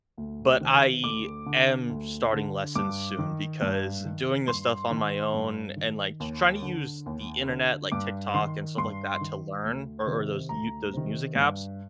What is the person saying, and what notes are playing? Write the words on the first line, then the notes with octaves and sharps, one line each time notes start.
but I am starting lessons soon because doing this stuff on my own and, like, tr trying to use the internet, like TikTok and stuff like that, to learn or or those you those music apps.
D2
C3 D#3
D2 D6
D3
D2
D3
G2 D6
D#3
G2
D#3
G2 C6
D#3
G2
D#3
D#2
D3
D#2
D3
G2 D6
D#3 C6
G2 C6
D#3
D2
C3 D#3
D2 A#5
C3 D#3
G2